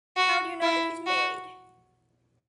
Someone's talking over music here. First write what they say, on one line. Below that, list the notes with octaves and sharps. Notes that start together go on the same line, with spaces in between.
How do you know that he’s married?
F#4
E4
F#4